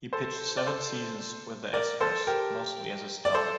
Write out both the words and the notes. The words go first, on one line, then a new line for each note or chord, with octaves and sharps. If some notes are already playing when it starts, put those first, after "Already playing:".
He pitched seven seasons with the Astros, mostly as a starter.
A4 C5
D5
A4 C5
A#4 D5
A4 C5
G4 A#4
D5
A4 C5